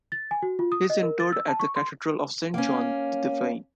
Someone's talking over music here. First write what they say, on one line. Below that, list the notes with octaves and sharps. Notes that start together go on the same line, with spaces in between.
He is interred at the Cathedral of Saint John the Divine.
A6
G#5
F#4
F4
D#6
D#5
A#4
A6
E6
A5
C#6
C6
A#3 C#4